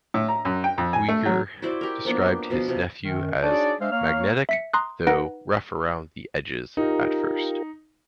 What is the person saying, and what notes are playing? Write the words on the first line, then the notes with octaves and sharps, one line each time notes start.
Uygur described his nephew as "magnetic" though "rough around the edges" at first.
A2
A#5
F#2
G5
F2
G#5
A3
F#3
E4 F#4 C5 D5
G4 A#4
F3 A#3 B3 D4
G4
B2 F3 B3
C3 F4
F#2 D#3
D4 D#4 F#4 G#4 C#5 D5
G#3 D4 C5 E5 F5
A#3 C#5 F5 F6
E5 B6 C#7
A#5 C6 D#6 F#6
D#4 B4 F#5 A#6 D7
D#4 F4 G4 A#4